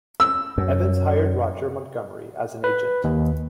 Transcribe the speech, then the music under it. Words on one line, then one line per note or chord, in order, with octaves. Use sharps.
Evans hired Roger Montgomery as an agent.
E6
F#2
B4
D#2